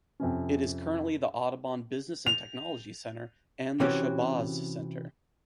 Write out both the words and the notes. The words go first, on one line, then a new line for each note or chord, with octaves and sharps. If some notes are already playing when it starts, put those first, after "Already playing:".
It is currently the Audubon Business and Technology Center and the Shabazz Center.
F2 C3 C#4
F7
C3 E3 C#4 F#4 G4